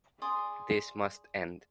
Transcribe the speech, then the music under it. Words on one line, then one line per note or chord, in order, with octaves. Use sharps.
This must end.
G#4 D5 C6 D#6